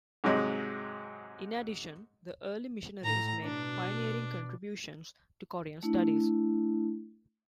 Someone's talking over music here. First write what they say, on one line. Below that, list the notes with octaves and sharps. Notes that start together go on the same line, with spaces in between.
In addition, the early missionaries made pioneering contributions to Korean studies.
G#2 C3 F#3 G#3
A2 A#5
B2 D4
A3 D4 E4